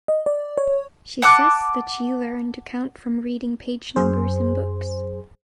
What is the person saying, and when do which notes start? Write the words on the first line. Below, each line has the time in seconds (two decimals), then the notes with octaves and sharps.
She says that she learnt to count from reading page numbers in books.
0.08 D#5
0.26 D5
0.57 C#5
1.22 F#5 A5 D6 F#6
3.96 F#2 G#4 C5